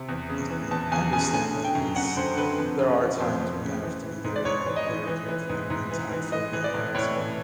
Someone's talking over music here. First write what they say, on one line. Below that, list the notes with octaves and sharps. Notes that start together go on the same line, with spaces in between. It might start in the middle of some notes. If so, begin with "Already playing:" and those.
Yes, ma'am, I understand that, it's there are times when you have to be very very careful and tactful about it, so
Already playing: C3
E2
C#3
E3
E2 A5
E2 G#5
C#3 G#5
D3 G#5
D3
G5
F#2
F#2 F#5
D3 C5
D3 B4
F2
C#3
E3
F2 C5
F2
C#3
E3
E3
G#2
D5
G#2 C#5
E3
D#5
E3
E3
E3
G#2
G#2
E3
E3
E3 D#5
E3
D5
A2
A2 C#5
E3